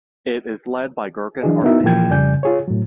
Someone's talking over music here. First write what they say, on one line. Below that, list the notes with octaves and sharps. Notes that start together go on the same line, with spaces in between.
It is led by Gurgen Arsenian.
E3 F#3 D4 G#4 D#5
B3 D#4 E4 F#4 A#4 E5
A#2 E3 F3 A#3 G5 G#6
F2 C#3 G3 D5 G#5 G6
F4 G#4 C#5
A2 F#3